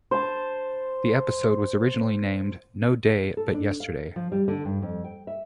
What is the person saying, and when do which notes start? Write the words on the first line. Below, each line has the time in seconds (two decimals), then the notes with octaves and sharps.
The episode was originally named "No Day but Yesterday".
0.11 C5 A5
3.37 A4
3.54 D4
3.80 F5
4.16 F3
4.32 G3
4.48 D3
4.65 G2
4.82 F2
5.04 G5
5.27 E5